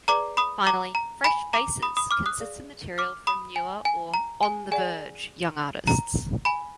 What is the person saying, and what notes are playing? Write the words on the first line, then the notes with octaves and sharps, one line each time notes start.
Finally, "Fresh Faces" consists of material from newer or 'on the verge' young artists.
G#4 B4 D5 A#5 D6
B5 D#6
A#5 D6
A#5
G#5 B5
A#5 D6
B5 D#6
B5 D#6
D6 F6
D#6 F#6
G#4 D5 F5
D6 F6
B5 D#6
G#5
G#5
A#5
G#5
G#4 D5 F#5 G#5
A#5
G#5 B5